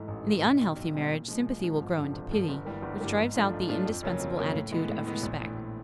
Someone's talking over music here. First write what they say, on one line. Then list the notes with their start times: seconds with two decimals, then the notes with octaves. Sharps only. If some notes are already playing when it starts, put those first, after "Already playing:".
In the unhealthy marriage, sympathy will grow into pity, which drives out the indispensable attitude of respect.
Already playing: G#2 E3 A3
0.08 A1
0.25 G#2 E3 A3
0.42 B1
0.60 B2 G3 C4 D#4
0.77 B1
0.93 B2 G3 C4 D#4
1.11 A#2
1.28 F3 G#3
1.46 A#2
1.62 F3 G#3
1.80 G#1
1.97 G2 D3 F3
2.13 G#1
2.31 G2 D3 F3
2.48 G1
2.65 G2 E3 G3 A#3
2.82 G1
3.00 G2 E3 G3 A#3
3.17 G#2
3.34 F3 A3 D4 F4
3.52 G#2
3.68 F3 A3 D4 F4
3.86 F2
4.03 C#3 F#3 A#3
4.20 F2
4.37 C#3 F#3 A#3
4.54 A2
4.71 E3 G#3 B3
4.89 A2
5.06 E3 G#3 B3
5.23 A#1
5.40 A2 E3
5.57 A#1